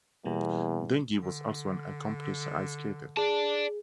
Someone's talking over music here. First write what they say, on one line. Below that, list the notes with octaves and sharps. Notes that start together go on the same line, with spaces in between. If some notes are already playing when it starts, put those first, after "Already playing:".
Dungey was also an accomplished ice skater.
E2 B2 G3 A#3
D3
G#4 D5 A5